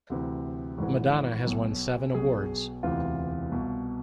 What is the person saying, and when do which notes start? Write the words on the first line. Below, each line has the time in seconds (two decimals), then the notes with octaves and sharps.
Madonna has won seven awards.
0.10 D2 C3 E3
0.78 G#1 G#2 E3
1.47 B1 B2
2.15 B1 B2 G#4
2.83 E1 D2 C3 E3 F4
3.51 C2 B2